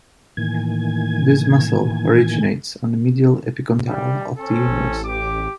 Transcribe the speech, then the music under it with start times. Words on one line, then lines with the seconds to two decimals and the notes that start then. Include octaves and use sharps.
This muscle originates on the medial epicondyle of the humerus.
0.37 A2 D#3 E3 A#3 G#5 G#6
3.86 G3
4.37 C4 C#4 A4
4.68 A1
5.04 G4 D6